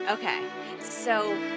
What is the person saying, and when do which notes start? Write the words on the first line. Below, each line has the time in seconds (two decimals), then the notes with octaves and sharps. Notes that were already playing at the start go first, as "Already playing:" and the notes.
Okay, so
Already playing: F#3 B3 D4 F#4
0.33 E3 A3 D4
0.77 E4
1.23 E4